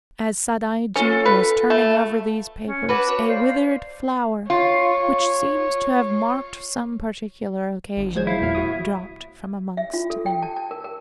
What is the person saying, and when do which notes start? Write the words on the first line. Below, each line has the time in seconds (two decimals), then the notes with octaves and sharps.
As Sadaijin was turning over these papers a withered flower, which seems to have marked some particular occasion, dropped from amongst them.
0.96 C#4 F4 A4
1.26 B4
1.70 A3
2.65 C#4
2.89 F#4 B4 A5 B5 D6
3.08 C#5
3.27 C5 D5 F5
4.50 F4 C#5
7.97 G1
8.15 F#3 G#3 C5 G#6
8.27 E4 F5
8.41 E2 A#2 E5 F5
8.55 F#4 C#5 D#6
9.77 E5
9.94 F4
10.10 A4
10.26 G5
10.42 A5
10.56 A5
10.71 A#4
10.84 A#4